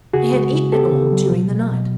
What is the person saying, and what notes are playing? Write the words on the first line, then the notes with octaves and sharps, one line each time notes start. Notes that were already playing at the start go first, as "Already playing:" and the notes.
He had eaten it all during the night.
C#3 F#4 G#4
G#3
C#3
B3 G4 A4
C#3
F#3
B2
B2
B2